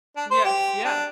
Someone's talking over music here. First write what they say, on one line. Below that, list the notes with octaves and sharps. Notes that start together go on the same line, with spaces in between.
Yes, yeah,
D4
C5
G4
D4